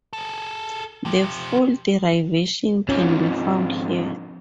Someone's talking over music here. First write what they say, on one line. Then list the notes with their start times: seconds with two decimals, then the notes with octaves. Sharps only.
The full derivation can be found here.
0.13 G#4 A4
1.06 F3 G4
2.89 F2 G#2 C#4